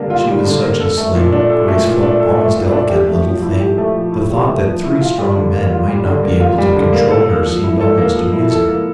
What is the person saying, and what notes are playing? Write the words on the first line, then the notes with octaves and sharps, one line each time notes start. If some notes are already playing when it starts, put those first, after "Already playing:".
She was such a slim, graceful, almost delicate little thing; the thought that three strong men might not be able to control her seemed almost amusing.
Already playing: D3 G3 A#3
F4
G3
D3
A#3
A4
A3
A#2
D4
A4
A3
A#2
D4
A4
A3
A#2
D4
G4
A3
F3
E4
G4
A3
F3
E4
G4
A3
F3
E4
F4
G3
D3
A#3
F4
G3
D3
A#3
F4
G3
D3
A#3
A4
A#3
F3
E4
A4
A#3
F3
E4
A4
A#3